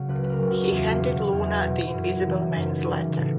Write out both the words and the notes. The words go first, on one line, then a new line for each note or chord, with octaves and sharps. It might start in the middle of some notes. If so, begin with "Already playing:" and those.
He handed Luna the Invisible Man's letter.
Already playing: C#3 F#3
C#2 B4
A#4 B4
C#3 F#3
F#4
E2 F4
G4
B2 F#3
F#4
E2
B2 F#3
F#2 E4
E4
C#3 E3 G3
D#4
F#2 D#4
C#3 E3 G3
A2 F#4